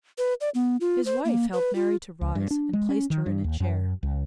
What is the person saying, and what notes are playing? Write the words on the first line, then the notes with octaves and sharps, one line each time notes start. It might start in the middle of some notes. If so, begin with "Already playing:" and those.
His wife helped Mary to rise, and placed her in a chair.
B4
D5
B3
F4
C5
A#3
B4
F4
C#2
G2
D4
G#3
C#4
D#3
G2
D#2
F#2
C#2